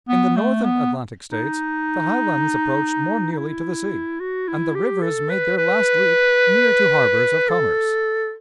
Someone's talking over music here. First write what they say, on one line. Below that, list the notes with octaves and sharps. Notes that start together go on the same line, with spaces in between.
In the Northern Atlantic States the highlands approached more nearly to the sea, and the rivers made their last leap near to harbors of commerce.
B3
A3
B3
D#4
D#4
E4
F#4
E4
G4
A4
B4
B4
A4